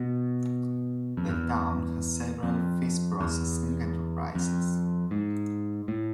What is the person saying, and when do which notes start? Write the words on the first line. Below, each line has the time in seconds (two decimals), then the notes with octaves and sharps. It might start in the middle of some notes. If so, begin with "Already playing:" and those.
The town has several fish processing enterprises.
Already playing: B2
1.17 F2
1.29 E2
2.43 F2
3.20 E2
4.35 F2
5.11 G#2
5.88 A2